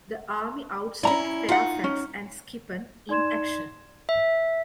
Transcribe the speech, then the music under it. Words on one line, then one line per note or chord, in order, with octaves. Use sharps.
The army outstripped Fairfax and Skippon in action.
C#4 E4 D5 A#5 B5
D#4 F4 F#5
C#4
D#4 D5 C6 G#6 E7
E5